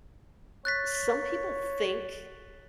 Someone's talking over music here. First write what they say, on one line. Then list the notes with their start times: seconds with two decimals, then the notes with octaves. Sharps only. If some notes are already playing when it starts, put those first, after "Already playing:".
some people think
0.65 C#5 F#6 A6 B6